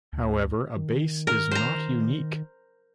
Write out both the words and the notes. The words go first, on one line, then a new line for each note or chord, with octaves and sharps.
However, a base is not unique.
D2
D#3
A#4
C5 A#5